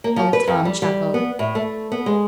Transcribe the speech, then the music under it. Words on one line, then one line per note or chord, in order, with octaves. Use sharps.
Old Tom chuckled.
A#3
F3
B4
F2
G3
G3
B3
A2
A3
B3
G#3